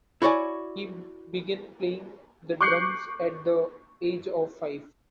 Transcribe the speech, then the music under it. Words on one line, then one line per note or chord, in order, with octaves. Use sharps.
He began playing the drums at the age of five.
E4 F#4 C#5 D5 G#5
C#6 D6 F#6 G6 C7 C#7